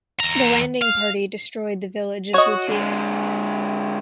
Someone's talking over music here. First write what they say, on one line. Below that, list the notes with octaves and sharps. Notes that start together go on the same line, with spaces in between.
The landing party destroyed the village of Vutia.
E2 A#5
F5
F#4 C#5 D#5
D3 G#3